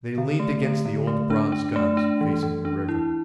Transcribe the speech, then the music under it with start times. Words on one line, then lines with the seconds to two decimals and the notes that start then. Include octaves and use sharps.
They leaned against the old bronze guns, facing the river.
0.18 D3
0.40 A3
0.63 D3
0.86 D3
1.07 A3
1.30 D4
1.52 D4
1.76 A3
1.97 D4
2.21 E3
2.43 E3
2.65 D4
2.89 E4